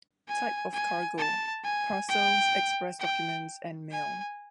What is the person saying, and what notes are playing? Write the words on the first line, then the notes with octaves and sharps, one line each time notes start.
Type of cargo: parcels, express documents and mail.
G#5
G#5
A5
G#5
G5
G5
G#5